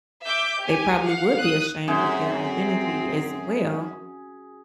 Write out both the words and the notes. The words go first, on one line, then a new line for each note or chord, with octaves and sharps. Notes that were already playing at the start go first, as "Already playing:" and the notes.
they probably would be ashamed of their identity as well,
E5 D6 G6
G4 G#5
F5 F#5
D#6 F#6
F#2 C4 G#4